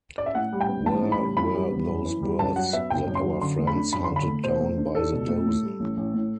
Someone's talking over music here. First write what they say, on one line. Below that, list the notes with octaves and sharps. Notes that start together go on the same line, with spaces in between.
Where were those birds that our friends hunted down by the dozen?
D5
E5
A2 F#5
G3
G5
B3
A1 A5
A2
B5
G3
E3 B5
G3
B3
F#2
E3
G3
F#2 A5
F#3 F#5
B3 E5
F#1 G5
F#2
C6
F#3
D3 C6
A3
B5
D4
F#2 B5
C6
D3
B5
A3
B2 C5
A3
D4
E2 A4
B2
A3
A2
G3
A1
A1
A2